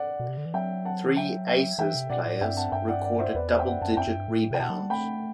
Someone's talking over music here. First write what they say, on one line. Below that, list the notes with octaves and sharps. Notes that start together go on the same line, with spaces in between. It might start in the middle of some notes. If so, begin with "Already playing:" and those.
Three Aces players recorded double digit rebounds.
Already playing: D5 F#5
B2
C3
D3
E3
F#3 E5 G5
F#5 A5
E3
F#3 E5 G5
E5 G5
E3 E5 G5
C3
B2 D5 F#5
A2
G2 E5 G5
F#5 A5
G2 E5 G5
D5 F#5
D5 F#5
C5 E5
E2 B4 D5
C5 E5
G5
F#2 D5 F#5
F#2 F#5 A5
F#2 E5 G5
F#2
G2
A2
C3 G5
B2 F#5 A5
F#3
G3
A3 G5 B5